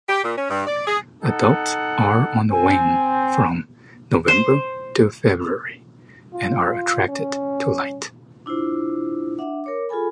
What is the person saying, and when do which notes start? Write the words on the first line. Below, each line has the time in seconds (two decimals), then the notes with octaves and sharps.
Adults are on the wing from November to February and are attracted to light.
0.08 G4
0.24 A#2
0.37 C#4
0.50 G2
0.67 D5
0.87 G#4
1.23 D#4 A4 F#5
2.52 C4 G#5
4.28 C5
6.34 F4
7.09 C#4
8.46 D4 E4 F4 C5
9.39 D4 E5 F#5
9.64 A#4 C#5 D6
9.89 F4 G#4 A4 G#5 B5